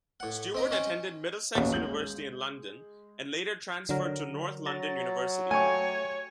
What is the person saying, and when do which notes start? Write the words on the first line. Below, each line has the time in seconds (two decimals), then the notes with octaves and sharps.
Stewart attended Middlesex University in London and later transferred to North London University.
0.20 A2 F#5
0.54 C4 D#5 A#5
0.71 C#4 D#5 G5
1.55 A1 D#2 A#2 C#3 F#3
1.73 G#3 G6 F#7
3.89 D3 F#3 A#4
4.66 F#3 A#5 A6
5.51 A3 G4 C#5 G#5 C#6